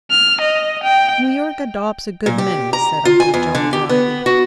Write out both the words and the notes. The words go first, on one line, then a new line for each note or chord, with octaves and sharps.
"New York adopts a good many," said Uncle John, drily.
F6
D#5
G5
A#2
G4
A#5
F4
G#5
E2
D3
G4
B3
F#4